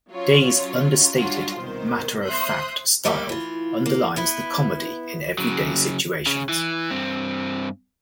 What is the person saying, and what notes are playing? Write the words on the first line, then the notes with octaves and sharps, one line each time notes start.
Day's understated, matter-of-fact style underlines the comedy in everyday situations.
F#3 C#4 F4 C#5
F#3 G3 D4 F4 F#4
C2 B2 D#3 C5
C5 E5 C6 D#6 F#6 G6
G2 G3 A3 A#3 G4
E3 F4
A#3
B3 E4 B4
C#3 F#3
C#3
E3
G2 C4